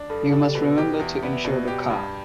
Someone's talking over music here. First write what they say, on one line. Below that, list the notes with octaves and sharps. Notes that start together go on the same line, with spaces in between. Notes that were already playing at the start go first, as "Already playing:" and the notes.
You must remember to insure the car.
Already playing: D4
G2 A4
A4
D4 G4
A4
B2 B4
G4 D5
E2 E5
B3 D5
E5
B2 D5
G4
G2